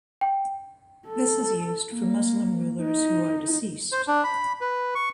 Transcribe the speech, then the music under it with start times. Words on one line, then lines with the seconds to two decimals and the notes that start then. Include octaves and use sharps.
This is used for Muslim rulers who are deceased.
0.21 G5
1.07 A4
1.92 A#3
2.82 D#4
3.92 C5
4.07 D4
4.24 B5
4.61 B4
4.95 C#6